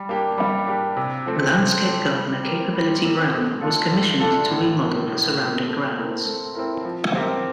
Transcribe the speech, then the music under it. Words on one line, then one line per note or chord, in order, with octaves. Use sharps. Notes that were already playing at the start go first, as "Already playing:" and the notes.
Landscape gardener Capability Brown was commissioned to remodel the surrounding grounds.
Already playing: G3
A#3 D4 G4
G3
A#3 D4 G4
C3
F3 A3 C4
C3
F3 A3 C4
G3
C4 G4 A#4
G3
C4 G4 A#4
D3
A3 D4 F4 A4
D3
A3 D4 F4 A4
A2
F3 A#3
A2
F3 A#3
A3
C4 E4 A#4
A3
C4 E4 A#4
F3
C4 G4 A#4